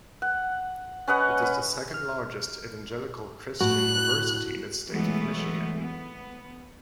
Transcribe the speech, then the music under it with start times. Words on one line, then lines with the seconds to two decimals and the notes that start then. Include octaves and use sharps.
It is the second-largest Evangelical Christian University in the state of Michigan.
0.22 F#5
1.08 C#4 B4 D#5 F#5
1.42 B4
1.94 F6
3.61 A2 F#4 F#6
4.89 E3 F#3 G#3 A3 B3
5.78 B3